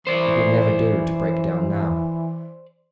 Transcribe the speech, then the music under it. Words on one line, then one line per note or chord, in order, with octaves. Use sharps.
It would never do to break down now.
E3 C5 D5